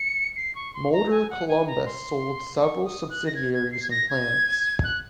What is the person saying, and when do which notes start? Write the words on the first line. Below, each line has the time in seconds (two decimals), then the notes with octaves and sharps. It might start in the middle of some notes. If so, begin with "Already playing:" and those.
Motor-Columbus sold several subsidiaries and plants.
Already playing: C#7
0.36 C7
0.55 C#6
0.74 C6
0.93 A#5
1.11 G#5
1.30 F#5
1.48 G#5
1.67 A#5
1.86 C6
2.60 C#6
2.85 D#6
3.10 F#6
3.27 A#6
3.35 G#6
3.53 G#6
3.72 C7
3.83 G#6
3.90 A#6
4.09 G#6
4.84 F#6